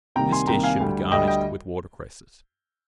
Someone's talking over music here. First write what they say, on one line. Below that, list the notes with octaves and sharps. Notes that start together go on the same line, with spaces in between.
This dish should be garnished with water-cresses.
C2 C3 D#3 G3 A#3 G5 A#5
G#5 C6
C2 C3 D#3 G3 A#3 G5 A#5
F5 G#5
D2 D3 G3
D2 D3 G3 D#5 G5
D#5 G5